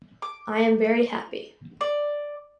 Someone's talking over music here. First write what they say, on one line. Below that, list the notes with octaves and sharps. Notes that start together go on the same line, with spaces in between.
I am very happy.
D6
D5